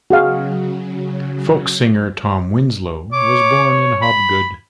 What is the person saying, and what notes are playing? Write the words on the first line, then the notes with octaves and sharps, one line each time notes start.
Folk singer Tom Winslow was born in Hobgood.
C#3 F#3 F#4 G#4 F5
C#5 D6
B5